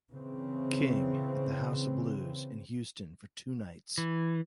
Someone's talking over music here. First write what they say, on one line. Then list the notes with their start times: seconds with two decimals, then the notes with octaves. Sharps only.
King at the House of Blues in Houston for two nights.
0.14 C#3 E3 C4
3.98 E3